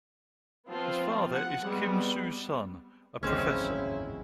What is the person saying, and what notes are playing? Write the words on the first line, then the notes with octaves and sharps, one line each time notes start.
His father is Kim Soo-Sun, a professor.
F3 B3 C4 F4
F#5
G3 G#3 B3 C4
A1 D#2 C#3 F#3 G#3 C4 C#4 E4